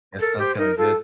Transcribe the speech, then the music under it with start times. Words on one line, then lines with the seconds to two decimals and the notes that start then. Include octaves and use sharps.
That sounds kinda good.
0.19 A4 A#4
0.38 G4 C5
0.57 D#4 A#4
0.77 F4 A4